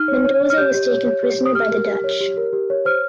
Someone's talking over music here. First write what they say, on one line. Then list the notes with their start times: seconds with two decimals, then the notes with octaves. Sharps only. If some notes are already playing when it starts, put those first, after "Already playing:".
Mendoza was taken prisoner by the Dutch.
Already playing: D#4 F6
0.08 C#5
0.24 C#5
0.41 C#5
0.50 F6
0.58 G4 G6
0.74 G4
0.90 C#5
1.07 C#5
1.23 G4
1.39 G4
1.46 D#6
1.55 G4 F6
1.71 A#4
1.88 G4
2.04 C#5
2.21 G4
2.37 A#4
2.53 G4
2.70 C#5
2.85 C5 F6